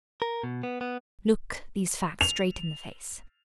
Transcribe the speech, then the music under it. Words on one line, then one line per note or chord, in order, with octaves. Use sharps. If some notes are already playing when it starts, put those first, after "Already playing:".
Look these facts straight in the face.
A#4
B2
B3
B3
F7